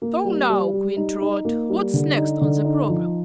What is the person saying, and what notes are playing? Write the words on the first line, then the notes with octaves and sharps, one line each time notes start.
"So now, Queen Trot, what's next on the program?"
A#3
G3
G3
G3
D#4
D#4
A#3
G3
D3
D#4
D3
D#4
F3